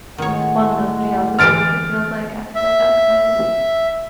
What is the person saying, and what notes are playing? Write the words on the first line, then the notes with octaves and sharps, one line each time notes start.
while nobody else is awake, it feels like, I feel like that's nice.
A2 D#3 G#3 C#5 F#5
D3 E3 G4 F6 A6 D7
E5